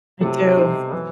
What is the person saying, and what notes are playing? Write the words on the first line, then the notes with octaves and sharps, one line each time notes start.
I do.
C3 F#3 A3 E4 A4
B2 G3 D#4 A4 C5
E3 F#3 C4